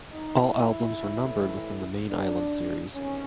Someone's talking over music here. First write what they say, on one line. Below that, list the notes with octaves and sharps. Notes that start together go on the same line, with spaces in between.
All albums were numbered within the main Island series.
D#4
E4
A2 E3
D4
E2 C3 D#3 C#4